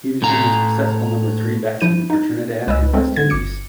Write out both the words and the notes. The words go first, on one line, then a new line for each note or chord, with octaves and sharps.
He became a successful number three batsman for Trinidad and West Indies.
A2 A#5
F3 E4 G6 D#7
D#4 A6
C#2 B4 D#5 G#5 E6
G#3 A3 C4 A4
D3 G#6
G1 D6 C#7